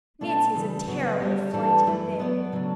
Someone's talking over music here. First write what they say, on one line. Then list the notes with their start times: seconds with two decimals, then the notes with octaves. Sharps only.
Nancy is a terrible flighty thing.
0.21 B2 A3 D4 A4 E5
0.54 C#3 E3 G3
0.87 C#3 F#3 B3 F#4 B4
1.20 D3 G3 C#4 G4
1.54 E3 G3 D4 A4
1.86 F#2 E3 A3 E4 B4
2.19 F#3 B3 F#4 B4 D5
2.52 C#3 F#3 A3 D4